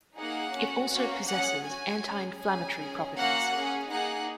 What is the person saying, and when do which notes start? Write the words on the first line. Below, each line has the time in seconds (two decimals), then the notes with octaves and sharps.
It also possesses anti-inflammatory properties.
0.17 A#3 D#4 G#4 F#5
0.54 C#4 F#4
0.91 A#3 C#4 F#4
1.29 C#4 G#4 F#5
1.65 C#4 F#4 G#5
2.04 C#4 G#4
2.40 C#4 G#4 G#5
2.78 C#4 G#4
3.15 A#3 C#4 F#4 F#5
3.53 C#4 G#4
3.89 A#3 D#4 G#4 F#5